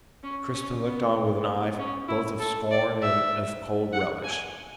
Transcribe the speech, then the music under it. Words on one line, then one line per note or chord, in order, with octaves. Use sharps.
Crispin looked on with an eye both of scorn and of cold relish.
C#4
C#4
B3
C#4
E4
A4
D5
E5
F#5
G#5